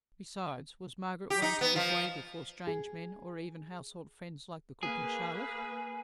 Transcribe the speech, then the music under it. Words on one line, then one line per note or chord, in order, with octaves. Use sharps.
Besides, was Margaret one to give way before strange men, or even household friends like the cook and Charlotte!
G4
D#4
B3
F3
G#4
A#3 G#4 B4